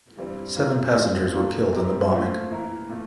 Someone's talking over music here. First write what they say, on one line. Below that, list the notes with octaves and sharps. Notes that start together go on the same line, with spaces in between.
Seven passengers were killed in the bombing.
G2 E3 G3 C4
E3 A#3 F4
A2 F3 C4
E3 A#3 F4 A4
G3 C4 G4 A#4
A#2 A3 C4 F4 C5
E3 A#3 E4 A#4
A#2 A3